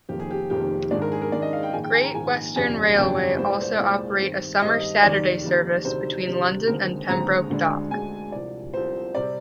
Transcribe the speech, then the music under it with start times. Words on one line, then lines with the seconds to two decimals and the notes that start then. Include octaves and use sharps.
Great Western Railway also operate a summer Saturday service between London and Pembroke Dock.
0.09 F1 F2 D#3 G3 A#3 G4
0.20 G#4
0.31 G4
0.50 F1 F2 D#3 G3 A#3 G4
0.91 G#1 G#2 D#3 G#3 D4 D5
1.02 A#4
1.12 G#4
1.22 A#4
1.32 G#1 G#2 D#3 G#3 D4 D5
1.42 D#5
1.53 F5
1.63 G5
1.73 A#1 G#2 D#3 A#3 G#5
1.84 G5
1.94 G#5
2.04 A#5
2.14 A#1 G#2 D#3 A#3 G#5
2.56 G1 F2 C3 G3 D4 G#5
2.97 G1 F2 C3 G3 D4 G5
3.38 C2 A#2 G#3 C5
3.50 D5
3.61 C5
3.79 C2 A#2 G#3 D5
4.21 G2 D#3 G3 C4
4.62 G2 D#3 G3 C4 D#5
5.03 F1 D#2 D#3 G3 D5
5.44 F1 D#2 D#3 G3
5.85 D2 C3 D#3 G3 D4 C5
6.26 D2 C3 D#3 G3 D4
6.67 D#2 D3 G#3 C4 A#4
7.09 D#2 D3 G#3 C4 A#5
7.50 D2 D3 G#3 D4
7.91 D2 D3 G#3 D4 G#5
8.32 C2 C3 F3 D5
8.74 C2 C3 F3 C5
9.15 C3 G3 C4 D5